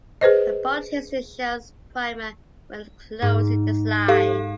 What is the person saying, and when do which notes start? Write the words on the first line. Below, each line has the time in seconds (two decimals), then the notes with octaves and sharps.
A bolt hits the shell’s primer when closing the slide.
0.21 G#4 B4 C5 D#5
3.22 G#2
4.08 G4 A4 F5